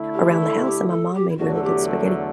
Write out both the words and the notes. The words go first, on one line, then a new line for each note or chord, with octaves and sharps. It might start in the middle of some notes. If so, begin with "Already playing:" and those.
around the house, and my mom made really good spaghetti.
Already playing: D3 A3 E4
G4
G4
A4
G4
A4
G4
E4
E2 D3 F#3 A3 F#4
A4
G4